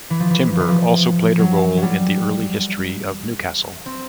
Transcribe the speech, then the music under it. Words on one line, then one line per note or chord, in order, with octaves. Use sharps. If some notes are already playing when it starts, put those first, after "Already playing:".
Timber also played a role in the early history of Newcastle.
E3
F3
E3
F3
E3
F3
F#3
F#3
G3
C4